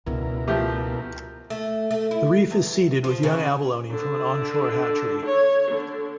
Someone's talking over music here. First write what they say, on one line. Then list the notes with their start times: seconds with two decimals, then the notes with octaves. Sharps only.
The reef is seeded with young abalone from an onshore hatchery.
0.06 C#2 B2 D3 E4 A#4
0.48 F3 A3 G4
1.50 A3
1.91 A3
2.11 E4
2.51 E2
3.04 F3
3.23 C#3
3.90 D3
5.25 C#5
5.71 D3